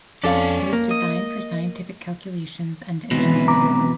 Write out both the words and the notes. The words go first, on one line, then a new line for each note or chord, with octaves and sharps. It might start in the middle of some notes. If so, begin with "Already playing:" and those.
It was designed for scientific calculations and engineering.
F2 C#4 A4 D5 F5
A#3
D#5
B2 E3 F#3 G#3 C4 B4
A#5 D6